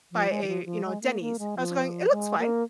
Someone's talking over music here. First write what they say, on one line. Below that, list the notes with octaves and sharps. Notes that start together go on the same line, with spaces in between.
by a, you know, Denny's. I was going, "It looks fine."
F3
G#3
D#3
F3
F3
G#3
A#3
A#3
G#3
F3
G#3
A#3